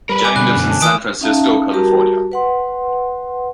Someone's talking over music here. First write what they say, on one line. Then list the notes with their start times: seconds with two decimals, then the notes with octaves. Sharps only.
Jang lives in San Francisco, California.
0.09 G3 A#4 B4 B5
0.24 G#5 D6
0.36 B2 D3 B5 F#6
0.56 F#2
0.70 A5
0.81 D#3 E3 G#5 D#6 D7
1.21 C#4 D#4 E5 F5 A5 A#5
1.72 G3 F#4 G4 A#4 A5 A#5
2.32 B4 F#5 C6